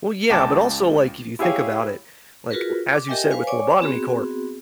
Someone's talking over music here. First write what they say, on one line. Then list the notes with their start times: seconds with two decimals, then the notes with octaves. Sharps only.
Well, yeah, but also like, if you think about it, like, as you said with Lobotomy Corp,
0.30 C#2 G5 A5 D6
1.39 E4 G4 G#4 C#5 F5
2.51 F4 F#4 G#4 A#4 B4
2.92 D6
3.08 G4 A#4 D#5 E5 G5 G#5
3.31 B4 C5 F5 G#5
3.47 C#5 D5 G#5 C#6 D6
3.79 B3 C4 F#4 G#4